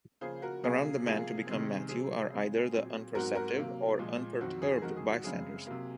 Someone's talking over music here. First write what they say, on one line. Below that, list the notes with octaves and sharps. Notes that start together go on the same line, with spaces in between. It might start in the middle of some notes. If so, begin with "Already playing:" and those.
Around the man to become Matthew are either the unperceptive or unperturbed bystanders.
C#3 F3 A#3 G#4 C5
F#4 A#4
C3 F#3 A#3 G#4
C3 F3 A#3 G#4
C3 D#3 G#3 C4
C3 F#3 C4 G#4
C#3 G#3 C4
A#2 F#3 C4
G#2 F#3 C4 F#4 A#4
F#4 A#4
C3 F#3 A#3
A#2 F3 G#3
F2 D#3 F#3 C4 F#4
G#4
F2 D#3 G#3 F#4 A#4
G#4
F#4
F#2 C#3 G#3 C4 G#4
C3 F#3 A#3